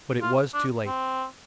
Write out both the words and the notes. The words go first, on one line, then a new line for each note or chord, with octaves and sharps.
But it was too late.
F4
D4
C4